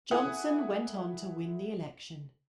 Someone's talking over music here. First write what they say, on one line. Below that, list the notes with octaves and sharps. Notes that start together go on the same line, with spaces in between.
Johnson went on to win the election.
E4 G#4 A4 F#5 G#5 D#6